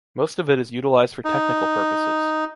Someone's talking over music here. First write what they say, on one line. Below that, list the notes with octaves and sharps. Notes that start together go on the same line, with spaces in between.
Most of it is utilized for technical purposes.
D#4